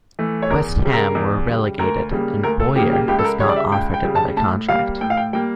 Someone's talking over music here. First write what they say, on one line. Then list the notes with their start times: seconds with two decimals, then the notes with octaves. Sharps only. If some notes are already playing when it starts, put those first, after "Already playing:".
West Ham were relegated and Bowyer was not offered another contract.
0.19 E3 A3
0.42 C#5
0.50 E2 A#4
0.82 C#3 G3
0.93 A#4
1.15 E2
1.47 C#3 G3
1.79 D2 A#4
2.11 C#3 G3 A#3
2.43 D2 A#4
2.60 A4
2.75 C#3 G3 A#3 G4
2.92 G4
3.08 C#2 G4
3.19 A4
3.24 A#4
3.40 C#3 G3 C#5
3.49 D5
3.56 E5
3.72 C#2 G5
3.94 G5
4.04 C#3 G3
4.16 A5
4.37 A2 A5
4.69 G3 A#3 F5
5.01 A2 G5
5.10 F5
5.17 G5
5.33 G3 A#3 G5